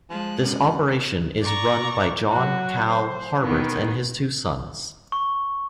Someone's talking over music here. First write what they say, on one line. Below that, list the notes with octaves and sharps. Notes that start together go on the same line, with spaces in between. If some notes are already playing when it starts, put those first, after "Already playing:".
This operation is run by John "Cal" Harberts and his two sons.
F3 G#3 F#6
F#2
D5 A#5 C#6
F#3 F#4
C5
B2 D#3 B3
C#6